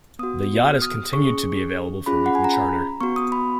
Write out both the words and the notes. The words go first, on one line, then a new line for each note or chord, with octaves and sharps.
The yacht has continued to be available for weekly charter.
B3 F#4 D#6
F6
D#6
C#4 G#4 C#6
C#4 F4 G#4 B5
F#5
G#5
A#5
B5
B3 F#4 C#6
D#6
B5